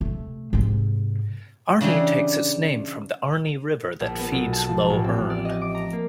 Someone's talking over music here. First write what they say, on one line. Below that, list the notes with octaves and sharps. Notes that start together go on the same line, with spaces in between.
Arney takes its name from the Arney River that feeds Lough Erne.
C3 A3
G#2 C3
C#3 E3 D4 G4 G#4
A#1
B3
B1
A5
F3
A1
C4
D5
D#5
D6
A#5
A#3